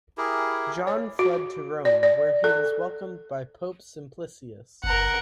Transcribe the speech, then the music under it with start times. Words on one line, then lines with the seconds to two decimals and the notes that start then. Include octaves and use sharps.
John fled to Rome, where he was welcomed by Pope Simplicius.
0.18 E4 G4 G#4 A#4
0.87 C#5
1.19 F#4
1.85 D5
2.03 D5
2.44 A4
4.84 F#1 A#4 F#5